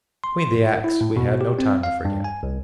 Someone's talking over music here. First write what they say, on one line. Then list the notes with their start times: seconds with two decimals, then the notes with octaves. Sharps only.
Between the acts we had no time to forget.
0.24 C6
0.56 G#2
0.84 E4
1.01 A2
1.16 B2
1.41 G4
1.59 C4
1.83 F5
2.05 G2
2.24 G#5
2.43 C2